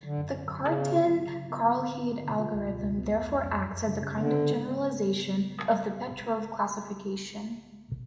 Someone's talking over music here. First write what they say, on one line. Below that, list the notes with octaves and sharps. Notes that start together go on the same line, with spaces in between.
The Cartan-Karlhede algorithm therefore acts as a kind of generalization of the Petrov classification.
D3 F#3
F#2
D3
F#3
C#3 B3
B3
D3
F#3
C#3
C#3
B3
B3
D3
B3
B3
D3
F4
C#2
B2
C#2
B3
F2
F2
F2
F#2
F#2
C#3
C#3
D3 B3
B3
G#3
B3